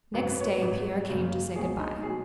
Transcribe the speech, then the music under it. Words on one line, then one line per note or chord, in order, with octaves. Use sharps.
Next day Pierre came to say good-by.
G#1 F#2 F#3 B4
B4
C#5
B4
G#1 G#2 F#3
F#1 F#2 C#3 F#3
C#2 B2 F#3 G#4
D#4
B2 F#3 G#4